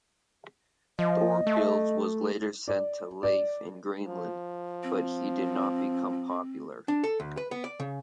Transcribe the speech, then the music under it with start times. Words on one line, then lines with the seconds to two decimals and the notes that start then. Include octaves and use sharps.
Thorgils was later sent to Leif in Greenland, but he did not become popular.
0.99 F3 D#5
1.47 A3
2.68 D5
3.23 D5
4.08 F3
4.83 C4
6.88 D4
7.04 A4
7.20 D2
7.37 B4
7.51 B3
7.64 D5
7.80 C#3